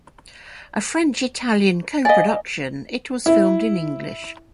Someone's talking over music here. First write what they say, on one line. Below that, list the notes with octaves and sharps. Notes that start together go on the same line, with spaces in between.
A French-Italian co-production, it was filmed in English.
D5 D#5 F5 G#5
E4